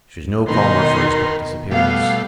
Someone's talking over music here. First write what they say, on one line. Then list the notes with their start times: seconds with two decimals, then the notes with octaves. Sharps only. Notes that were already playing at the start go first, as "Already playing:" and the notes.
She was no calmer for his quick disappearance.
0.48 B2 D#3 D#4 A#4 B4 C6
1.71 B2 G3 A3 B3 F5